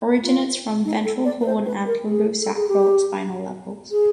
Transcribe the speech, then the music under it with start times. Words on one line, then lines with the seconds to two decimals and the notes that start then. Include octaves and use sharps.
Originates from ventral horn at lumbosacral spinal levels.
0.23 F4
0.85 D#4
1.05 A4
1.25 D5
1.41 B4
1.46 C5
1.66 B4
1.86 A#4
2.07 G#4
2.41 A4
2.55 G#4
2.68 G4
3.91 G#4